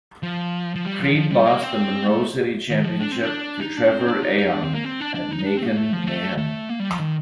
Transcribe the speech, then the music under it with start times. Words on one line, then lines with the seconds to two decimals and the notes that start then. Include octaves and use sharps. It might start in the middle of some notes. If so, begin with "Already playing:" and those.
Creed lost the Monroe City Championship to Trevor Aeon at "Macon Mayhem".
0.23 F3
0.76 F3
0.85 G3
1.00 F3
1.09 D#3
1.15 F3
1.31 G3
1.46 A#3
1.62 C4
2.08 A3
2.70 D#3
2.84 F3
3.00 D4
3.12 C4
3.23 D4
3.61 D#4
3.77 D4
3.92 C4
4.08 D4
4.23 D#4
4.38 D#4
4.53 D4
4.64 C4
4.74 A#3
4.85 C4
5.00 D4
5.15 D4
5.31 D#4
5.46 D4
5.57 C4
5.62 A3
5.66 A#3
5.76 A3
5.93 F3
6.07 A3
6.38 A3
6.69 A#3
6.80 G3
6.90 F3
7.00 D#3